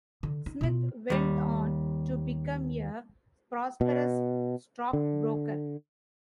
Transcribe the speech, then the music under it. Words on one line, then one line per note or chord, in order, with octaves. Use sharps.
Smith went on to become a prosperous stockbroker.
D3
D#4
B2 F4
D#2 G3
B2
D3